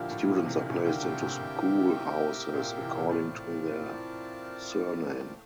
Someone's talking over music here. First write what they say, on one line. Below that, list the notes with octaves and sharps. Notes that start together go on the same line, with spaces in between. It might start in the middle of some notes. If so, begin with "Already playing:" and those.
Students are placed into school houses according to their surname.
Already playing: A#2 D3 F3 E4 G4 A#4
A2
A#2
C3
A#2
A2 C3
A#2 D3 G4 A#4 E5 G5
A2 C3
A2 C3
A2 C3
A#2
C3 E3
A#2
A2 C4 F4 A#4 D5 A5